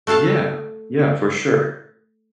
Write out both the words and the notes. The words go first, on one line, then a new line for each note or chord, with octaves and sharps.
Yeah. Yeah, for sure.
A3 F#4 A4 F5 A5